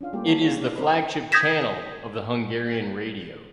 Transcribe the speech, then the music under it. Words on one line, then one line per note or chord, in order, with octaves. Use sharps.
It is the flagship channel of the Hungarian Radio.
C#4 D4 F4 F5
G3 A3 A#3 F4 G4
A#4 C#5 A5
F4 G#4 C#5
D4 D5
C4 A#4 C5 D5 D#5 B5
D#6 G6 G#6 A#6 B6 E7